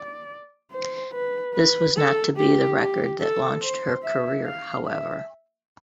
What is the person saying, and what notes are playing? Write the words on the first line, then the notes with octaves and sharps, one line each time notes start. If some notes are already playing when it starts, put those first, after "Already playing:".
This was not to be the record that launched her career, however.
Already playing: D5
C5
B4
B4
A4
G4
G4
A4
C5
E5
F5
E5